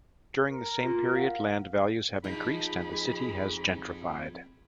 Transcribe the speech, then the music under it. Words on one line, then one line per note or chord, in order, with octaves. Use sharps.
During the same period, land values have increased and the city has gentrified.
A#4
F4
F5 F#5
F2 D#4 G#4 B5